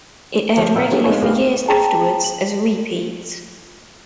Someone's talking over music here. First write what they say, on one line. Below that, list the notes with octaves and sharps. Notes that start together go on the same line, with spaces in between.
It aired regularly for years afterwards as repeats.
F3 A#3 C4 G4 C#5
A#2 A#3 F4 E5 G5 E6
F#3 G3 C#4 D4 F#4 G#4
G#3 B3 D#4 F4 C#5 G#5
C2 B3 G4 G#4 A#4 F5
G#4 G5 A5 A#5
F#7